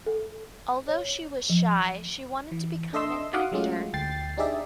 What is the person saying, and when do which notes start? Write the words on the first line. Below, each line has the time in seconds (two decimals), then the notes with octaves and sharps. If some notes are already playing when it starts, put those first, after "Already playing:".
Although she was shy, she wanted to become an actor.
0.06 A4
0.88 C#5
1.50 F3
2.52 E3
2.93 D4 A4 D#5 E5 C6 E6
3.33 D#4 F#4 F5 F#5 D6 D#6
3.52 F#3 G#3 A3 C#4 F4 F#4
3.93 D2 G5 A6 C7
4.37 D4 D#4 G4 G#4 D5 E5